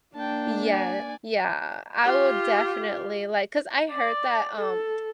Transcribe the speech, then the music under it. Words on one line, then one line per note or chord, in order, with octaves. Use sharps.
Yeah. Yeah, I will definitely, like 'cause I heard that, um,
A#3 D4 G5 A5
D5 G#5
F4 G4
D5
A4